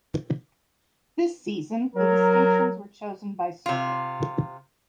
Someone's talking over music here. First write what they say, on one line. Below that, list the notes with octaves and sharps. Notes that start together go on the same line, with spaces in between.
This season, the distinctions were chosen by circuit.
F#3 A#4
C3 F4